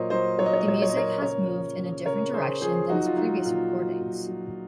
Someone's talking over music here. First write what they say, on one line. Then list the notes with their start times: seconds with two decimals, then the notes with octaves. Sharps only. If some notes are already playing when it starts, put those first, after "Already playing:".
The music has moved in a different direction than his previous recordings.
Already playing: A#2 F#3 A#4 C5 C#5 D#5
0.10 F#3 C5 D#5
0.38 F#3 C#5
0.46 D#5
0.53 C#5
0.61 D#5
0.66 A#2 C#5
0.75 D#5
0.82 C#5
0.89 D#5
0.94 A#2 A#4 C#5
1.22 C#3 A#4 C#5
1.50 F3
1.78 C#3
2.06 C#3 A#4 C#5
2.33 C#3 G#4 C5
2.61 F3 G#4 C5
2.89 F#3 D#4 F#4
3.06 F4
3.17 F#3 D#4
3.45 A#2 F4
3.73 F#3
4.01 A#2
4.28 F#3